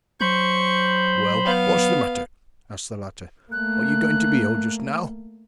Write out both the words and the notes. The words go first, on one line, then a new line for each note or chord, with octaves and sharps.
"Well, what's the matter?" asked the latter, "are you going to be ill just now?"
F#3 C5 B5 C#6 G6
B3 F5
A3 A#3 F#6